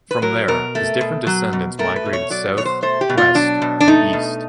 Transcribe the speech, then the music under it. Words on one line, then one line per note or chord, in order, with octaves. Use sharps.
From there, his different descendants migrated south, west, and east.
B4
F#3 A#4
B2 A#4
A3
B2
F#3
B2
A3 A#4
B4
B2
C#5
F#3 D5
B2 C#5
C5
A3 C5
G4
B2
F4
F#3 D4
B2
D4
A3 D#4
B2